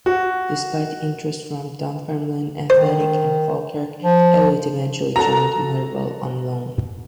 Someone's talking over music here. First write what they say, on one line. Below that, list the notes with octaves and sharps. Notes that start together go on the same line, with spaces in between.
Despite interest from Dunfermline Athletic and Falkirk, Elliot eventually joined Motherwell on loan.
F#4
D#3 C5
F3
F#4 A4 A5 A#5